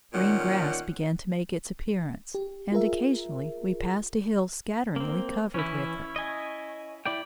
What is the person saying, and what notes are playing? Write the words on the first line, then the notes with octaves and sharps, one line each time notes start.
Green grass began to make its appearance, and occasionally we passed a hill scatteringly covered with it.
A#2 D#3 C#4 F#5
G4
F4 G#4 A#4 E5
A#3 C4
E3 C#4 E4
D#5 G#5
E4 D5 G5